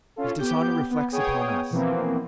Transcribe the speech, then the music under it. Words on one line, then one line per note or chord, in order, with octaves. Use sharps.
"His dishonor reflects upon us."
C#4 F4 A4
B3 G4 G6
B3
B3 G#4 C#5 G5 G#5 D#6
B2 E3 F3 A#3 C4